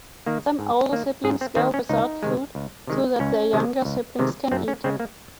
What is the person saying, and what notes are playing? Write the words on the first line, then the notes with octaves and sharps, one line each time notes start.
Some older siblings go without food so that their younger siblings can eat.
D#3 A#3
G#2
D#3 A#3
G#2 G#4
C4
D#3 A#3 C4
C#4
C#2 D#4
C3 D#3 G#3
C#2
C3 D#3 G#3
C#2 C#4
C3 D#3 G#3
C#2
C3 D#3 G#3
F#2 C4
C#4
C#3 G#3 C4
A#3